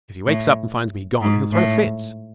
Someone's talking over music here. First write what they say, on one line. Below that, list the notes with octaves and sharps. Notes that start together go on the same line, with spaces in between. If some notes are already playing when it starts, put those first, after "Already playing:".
If he wakes up and finds me gone he'll throw fits.
A2
G#2
A2